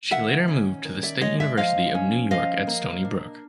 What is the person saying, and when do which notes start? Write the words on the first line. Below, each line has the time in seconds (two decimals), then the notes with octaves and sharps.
She later moved to the State University of New York at Stony Brook.
0.11 D#3 E5 F#5
0.48 C#4
0.85 D#3
1.03 D5 E5
1.21 G#3 C#5 D#5
1.40 D5 E5
1.57 F3 D#5 F5
1.95 C#4
2.31 F3 D#5 F5
2.67 A#3
3.05 D4